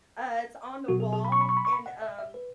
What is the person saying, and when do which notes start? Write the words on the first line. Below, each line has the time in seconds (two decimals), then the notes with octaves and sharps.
uh, it's on the wall and, um
0.88 B2 F#3 B3 F#4
1.00 G#4
1.13 G#4
1.25 B5
1.32 C#6
1.41 B5
1.49 C#6
1.57 B5
1.65 C#6
1.73 B5
1.86 F#5
2.02 E5
2.19 E5
2.34 B4